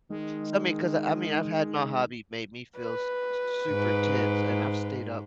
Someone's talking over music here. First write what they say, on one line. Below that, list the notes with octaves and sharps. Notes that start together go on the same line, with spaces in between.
So, I mean, 'cause, I mean, I've had my hobby made me feel s s super tense, and I've stayed up
D#3 G#3
B4
G#2